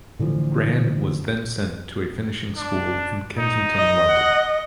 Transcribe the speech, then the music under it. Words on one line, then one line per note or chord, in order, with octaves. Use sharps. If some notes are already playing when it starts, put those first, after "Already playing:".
Grand was then sent to a finishing school in Kensington, London.
A2 D3 E3 F3
D4
D#4
D#5
F#5